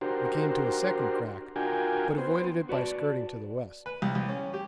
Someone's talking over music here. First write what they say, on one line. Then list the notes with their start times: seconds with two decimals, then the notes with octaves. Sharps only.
We came to a second crack, but avoided it by skirting to the west.
0.01 D4 F#4 G4 A#4 C5
1.56 D4 F4 F#4 A#4 G5 G#5
2.18 B3 C5
2.69 F#4 B4 D5 A5
3.86 B4
4.02 C2
4.15 C2
4.28 C#4
4.54 G4